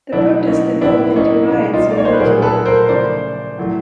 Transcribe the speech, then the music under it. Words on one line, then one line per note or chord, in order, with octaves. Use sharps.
The protest evolved into riots and looting.
B2 F#3 A3 D4 E4
C#4 D#4
A2 F#3 A3 D4 E4
C#4 D#4
B2 G3
D#4 F4
D5
C#5
C5
B4
A#2 F#3 A3 G#4 A#4
A4 B4
A#4 C5
C#3 F3 A3 C5 D5
A2 F#3 A3